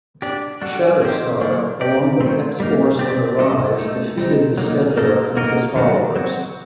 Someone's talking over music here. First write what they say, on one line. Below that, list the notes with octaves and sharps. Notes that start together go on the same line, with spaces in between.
Shatterstar, along with X-Force and Arize defeated the Scheduler and his followers.
D4 G4 D5
G3 D4 F#4 A4
F#3 C4 D#4 G4 C5
D3 F#3 A#3 D4
C4 G4 D5
D#3 A3 C4
G3 A#3 D#4
C4 G4 D5
D3 G3 D4 A4 D#5
A3 D#4 A4
G3 C4 D#4
F#3 A#3 D#4
A#3 D#4 A4 D#5
A#3 F#4 A#4 D#5
D#3 F#3 A3 D4 F#4
F#3 C4 F#4